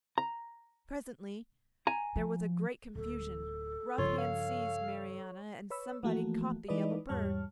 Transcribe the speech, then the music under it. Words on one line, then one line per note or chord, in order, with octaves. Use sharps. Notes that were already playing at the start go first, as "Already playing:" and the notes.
Presently there was a great confusion, rough hands seized Marianna, and somebody caught the yellow bird.
A#5
G#5 A#5
F3
D1 A4
G2 C#3 F3 F4 C#5
F5
B4 C#5 B5 E6
E3 F3 A3 A#3 F#4
E3 G#3 D#4 B4 D5 D#5
E2 G#2 G3 C#5 A5 F6